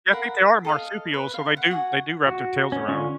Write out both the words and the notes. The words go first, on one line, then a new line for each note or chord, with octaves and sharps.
Yeah, I think they are marsupials, so they do they do wrap their tails around.
A#4 F5 F#5 B5
A4 D#5 F5
B4
F5
F#5
F#4 F#5 G#5
F#4
C#4
D3 C#4 F4 C#6